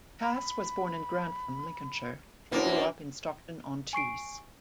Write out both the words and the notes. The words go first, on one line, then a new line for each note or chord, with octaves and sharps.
Cass was born in Grantham, Lincolnshire, and grew up in Stockton-on-Tees.
B5
F#2 E3 A#3 D4 B4 C5 A5
G#5 C#6 C7 D7